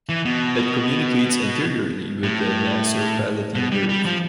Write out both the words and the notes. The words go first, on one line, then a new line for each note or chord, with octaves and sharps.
It communicates anteriorly with the nasopalatine nerve.
E3
B2
A2
B2
G3
G3
F3